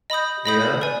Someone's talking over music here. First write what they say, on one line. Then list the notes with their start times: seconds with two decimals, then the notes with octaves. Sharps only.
You know?
0.10 D#5 B5 D#6 G6
0.46 D#5 B5 D#6 G6
0.81 B4 D5 G#5